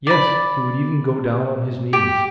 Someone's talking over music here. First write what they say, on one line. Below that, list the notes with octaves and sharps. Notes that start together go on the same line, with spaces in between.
"Yes, he would even go down on his knees."
D5 B5
G4